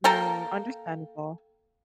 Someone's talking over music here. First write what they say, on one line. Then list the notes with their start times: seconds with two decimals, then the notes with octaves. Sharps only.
Hmm, understandable.
0.04 A#3 A4 A#4 G5